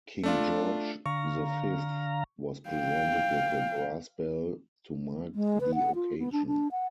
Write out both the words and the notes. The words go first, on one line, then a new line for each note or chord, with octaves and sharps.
"King George the Fifth" was presented with a brass bell to mark the occasion.
A3 D4 F4
D3 F5 A#5 C#6
F5 G5
G#3
B4
F#5
F4
B3
D4
D4
F#5